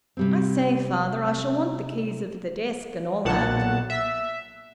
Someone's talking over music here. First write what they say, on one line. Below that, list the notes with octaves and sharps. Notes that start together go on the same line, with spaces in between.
"I say, father, I shall want the keys of the desk, and all that."
C3 G3 C4
B1 A#2 F#5 A5
E5